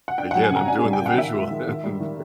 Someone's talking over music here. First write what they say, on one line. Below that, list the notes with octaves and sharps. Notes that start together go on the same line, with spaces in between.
again, I'm doing the visual, and
F#5
D4 G5
F#5
F#3
G#5
C#3 A#5
D4 G#5
G#5
G3
G5
A#2 F#5
D#3 E5
G#3
D#3
D#3
G3
D#3